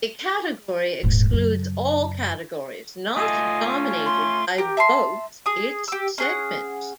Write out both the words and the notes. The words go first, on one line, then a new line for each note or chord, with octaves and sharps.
A category excludes all categories not dominated by "both" its segments.
D#1 G#2
F#2 C#3
A3 F4 D#5 G#5
C#4
C6
G4 A#4
E5 A5 C6
G#4 D#6
G4 E6
C#4 G#4 F#5